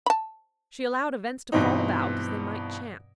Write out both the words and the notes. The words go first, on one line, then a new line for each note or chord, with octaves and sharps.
She allowed events to fall about as they might chance.
A5 B5
G2 B2 E3 C4 D#4